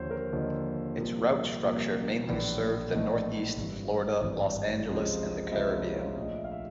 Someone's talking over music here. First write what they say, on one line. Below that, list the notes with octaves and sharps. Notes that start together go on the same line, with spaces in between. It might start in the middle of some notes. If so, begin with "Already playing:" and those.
Its route structure mainly served the Northeast, Florida, Los Angeles and the Caribbean.
Already playing: D#2 D3 F3 C5 C#5
A#4
D#2 D3 F3 D#5
C2 A#2 F3 A#3
C2 A#2 F3 A#3
A#1 A2 E3 A3
A#1 A2 E3 A3 D#5
G#1 G2 E3
G#1 G2 E3
C#2 C3 F3 G#3 C4
D#5
C#2 C3 F3 G#3 C4 E5
C#5
F5
E5
A#1 A#2 F3 A3 D#5
E5
F5
E5